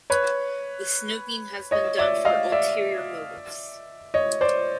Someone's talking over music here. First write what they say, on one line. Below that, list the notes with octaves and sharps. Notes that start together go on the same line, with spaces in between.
The snooping has been done for ulterior motives.
B4 C#5
C#5 D#5
D5 E5
D#5 F5
D5 E5
C#5 D#5
C5 D5